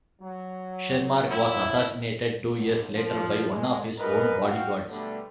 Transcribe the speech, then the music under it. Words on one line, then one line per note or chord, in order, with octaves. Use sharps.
Shermarke was assassinated two years later by one of his own bodyguards.
F#3
E4
B1
F3
G#3
F#2 A#4 B4 D#5
F#4 F5 G5
B2 D3 G3 A3